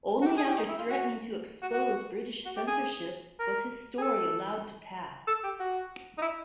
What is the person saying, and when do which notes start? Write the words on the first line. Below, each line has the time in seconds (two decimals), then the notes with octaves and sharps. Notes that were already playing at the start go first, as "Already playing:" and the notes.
Only after threatening to expose British censorship was his story allowed to pass.
0.22 F#4
0.27 G4
0.37 G#4
0.47 G4
0.58 D#4
0.68 E4
0.78 F4
0.89 F#4
1.62 F#4
1.73 F#4
2.45 F#4
2.56 G4
2.67 G#4
3.40 A#4
3.98 G#4
4.02 A4
5.27 A4
5.44 G4
5.59 F#4
6.18 D#4
6.22 E4